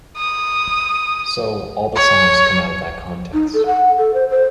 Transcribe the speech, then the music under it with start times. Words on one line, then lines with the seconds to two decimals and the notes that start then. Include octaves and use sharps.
So, all the songs come out of that context.
0.17 D#6
1.96 C#5
3.34 D#4
3.54 A4
3.66 F#5
3.97 A4
4.14 C5
4.30 C5